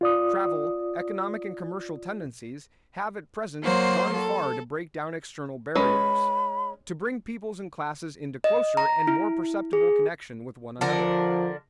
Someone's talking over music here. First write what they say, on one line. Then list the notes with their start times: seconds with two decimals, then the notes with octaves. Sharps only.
Travel, economic and commercial tendencies, have at present gone far to break down external barriers; to bring peoples and classes into closer and more perceptible connection with one another.
0.01 F4 D5 D#6
3.63 F#3 A#3 C5 C6
4.14 A4
5.75 G#3 C#4 B4 B5
8.44 D#5
8.77 A#5
9.07 E4
9.73 G#4
10.81 D3 F3 D4 A#4